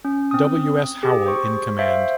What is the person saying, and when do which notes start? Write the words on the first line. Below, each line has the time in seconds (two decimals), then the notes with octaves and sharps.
W. S. Howell in command.
0.05 C#4
0.31 C4 D#6
1.03 G4 G#4
1.26 C5 C#6
1.79 C5 E5 F5